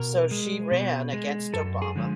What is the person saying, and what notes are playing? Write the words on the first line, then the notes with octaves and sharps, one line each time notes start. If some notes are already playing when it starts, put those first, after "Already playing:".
So she ran against Obama.
Already playing: B2 A#4
G#3
B2
G#3
F#2 A4
G#4
D3 F3 G#3